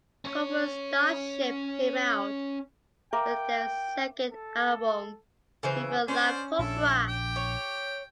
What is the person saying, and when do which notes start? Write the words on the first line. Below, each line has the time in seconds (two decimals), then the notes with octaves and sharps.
Cobra Starship came out with their second album, “¡Viva la Cobra!”.
0.25 C#4 C#5
3.13 A#4 E5 F5 G5 D6
4.32 A4
5.63 C#3 E3 C5
6.08 C#4 C5 D5 C6
6.59 A#1 D4 E4 A4
7.07 G4 G5
7.36 C#5